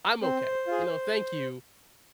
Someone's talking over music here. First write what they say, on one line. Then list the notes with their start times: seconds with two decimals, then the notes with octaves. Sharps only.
I'm okay." You know, "Thank you,
0.22 C4 C5
0.67 F4 G#4